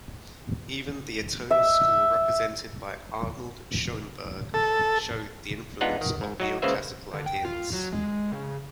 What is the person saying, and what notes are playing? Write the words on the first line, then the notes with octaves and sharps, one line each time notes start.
Even the atonal school, represented by Arnold Schoenberg, showed the influence of neoclassical ideas.
E5
A4
G#3 B3 D4 D#4 F4 F#5
D#3
G#2
F#3 D#4 F#4
C#2 C#3 A#3 B4 C5 E5
D3
G5
F4
F#3
G#3
C#3